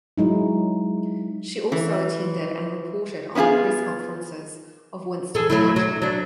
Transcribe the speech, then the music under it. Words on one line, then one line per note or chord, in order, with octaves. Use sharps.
She also attended and reported on the press conferences of Winston Churchill.
F#3 G#3 D#4 E4
E3
B3 C#4 E4 F4 G#4
G#4 A4
F#3 A3 E4
F#3
F#3 D4